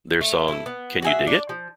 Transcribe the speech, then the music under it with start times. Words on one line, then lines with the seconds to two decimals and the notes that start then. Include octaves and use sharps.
Their song Can You Dig It?
0.21 A3
0.48 E4 A4
0.66 B3
1.02 F#4 G#4 E5
1.27 D4
1.49 F3